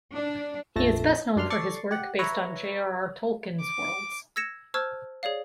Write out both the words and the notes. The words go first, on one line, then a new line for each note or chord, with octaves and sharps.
He is best known for his work based on J. R. R. Tolkien's worlds.
D4
A#1 F2 A3 A5 A#6
F#2 D4 C6 F6
A4 D5 C#6 A6 C7
G4 F#5
B4 C#5 E5 A#5
D6
E6 G#6 A#6 C#7 E7
C5 A5 C#6 E6 F6 G#6
G#4 C#5 D5 F5